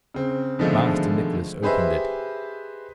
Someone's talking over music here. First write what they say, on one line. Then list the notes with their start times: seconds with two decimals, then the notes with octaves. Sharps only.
Master Nicless opened it.
0.14 C#3 C4
0.59 B2 D3 D#3 F3 G#3 A3
1.63 G4 G#4 B4 C5 D#5 E5